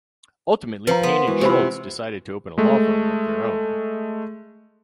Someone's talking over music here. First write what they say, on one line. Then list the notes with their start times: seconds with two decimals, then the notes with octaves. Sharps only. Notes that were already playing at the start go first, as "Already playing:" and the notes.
Ultimately, Payne and Shultz decided to open a law firm of their own.
0.87 F3 B4 A#5
1.03 B3 A#4 F#5 C6
1.27 E3 G#3 F#4 C#6
1.41 C3 E4 F4 G4 C5 F#5 B5
2.58 G#3 A3